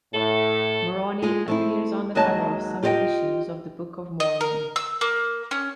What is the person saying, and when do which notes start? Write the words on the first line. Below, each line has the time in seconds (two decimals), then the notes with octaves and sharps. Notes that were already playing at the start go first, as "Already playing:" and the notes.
Moroni appears on the cover of some editions of the Book of Mormon.
0.14 A2 A4
1.22 G#3 F4 G#4
1.48 A3 C4 E4
2.15 D#2 F#3 G#3 C#5 D#5 A5
2.83 F4 G4 A4 D5 D#5 G5
4.20 D#5
4.41 A#4
4.76 E6
5.01 A#3
5.51 C#4